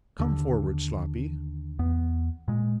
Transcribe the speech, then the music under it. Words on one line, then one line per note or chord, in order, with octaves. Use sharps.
'Come forward, Sloppy.
D#2 D3
E2 B3
A#2 G#3